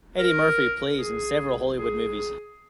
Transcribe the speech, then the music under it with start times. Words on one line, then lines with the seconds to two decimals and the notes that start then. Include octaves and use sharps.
Eddy Murphy plays in several Hollywood movies.
0.19 A#4
0.98 G#4
1.77 G#4